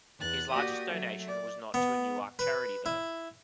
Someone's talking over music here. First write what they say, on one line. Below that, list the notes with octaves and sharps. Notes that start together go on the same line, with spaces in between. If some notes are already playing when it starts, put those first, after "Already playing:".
His largest donation was not to a Newark charity though.
E2 F#6 A6
A#3 F#4 G4 D5 D6 D#6
F#3 A3
D5
B3
B4
E4